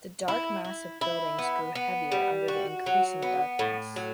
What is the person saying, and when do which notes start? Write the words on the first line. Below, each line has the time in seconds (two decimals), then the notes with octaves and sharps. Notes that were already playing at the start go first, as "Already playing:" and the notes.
The dark mass of buildings grew heavier under the increasing darkness.
0.28 E4
0.64 E4
1.01 E4
1.39 B3
1.75 B3
2.12 G3
2.48 F#4
2.86 F#3
3.22 B3
3.59 A2
3.96 F#3